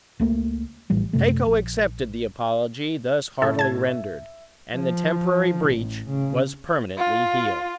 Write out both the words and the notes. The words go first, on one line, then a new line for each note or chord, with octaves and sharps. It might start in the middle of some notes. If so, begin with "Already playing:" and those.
Tycho accepted the apology thus heartily rendered, and the temporary breach was permanently healed.
C#2 A3 A#3
A#1 A2 E3 G3
F#2 C3 A3
A#1
F#2 A2 A4
A5 G#6
E5
F3
A1
C#3
F4